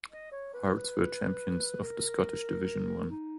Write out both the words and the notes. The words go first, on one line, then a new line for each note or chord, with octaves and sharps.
Hearts were champions of the Scottish Division One.
D#5
C#5
B4
A#4
D#4